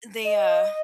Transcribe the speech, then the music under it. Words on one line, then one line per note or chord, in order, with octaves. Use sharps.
they, uh
D#5